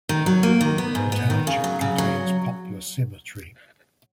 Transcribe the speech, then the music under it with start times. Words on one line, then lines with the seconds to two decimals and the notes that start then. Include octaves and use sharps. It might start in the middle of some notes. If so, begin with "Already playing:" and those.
The township contains Poplar Cemetery.
0.09 D#3
0.26 F#3
0.43 A#3
0.61 D#3
0.78 B3
0.95 G#2
1.12 B3
1.30 D#3
1.47 C#3
1.64 F#3
1.81 C#3
1.98 F#3